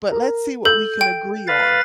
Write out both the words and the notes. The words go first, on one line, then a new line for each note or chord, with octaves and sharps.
but let's see what we can agree on,
A#4
A4 G6
G5
B4 F5 A6